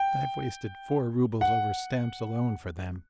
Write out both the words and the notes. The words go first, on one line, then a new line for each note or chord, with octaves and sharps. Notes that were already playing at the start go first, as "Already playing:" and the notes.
I have wasted four roubles over stamps alone for them.
Already playing: G5
F#5